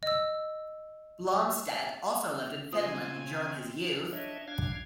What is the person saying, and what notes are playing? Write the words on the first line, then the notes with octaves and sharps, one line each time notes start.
Blomstedt also lived in Finland during his youth.
D#5 E6
C#3 C4 F4 C5 G#5 D#6
D4 C#5 D#5 E5
D4 F5 G#6